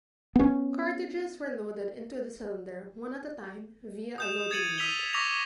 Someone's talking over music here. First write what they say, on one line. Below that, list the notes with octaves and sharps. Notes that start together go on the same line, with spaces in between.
Cartridges were loaded into the cylinder one at a time via a loading gate.
B3 C#4
D#6 G6 E7
D#6 G#6 A6 C#7 D#7 F#7
D#6 E6 B6 D#7 F7 G7
C#6 D6 E6 A#6 B6 F7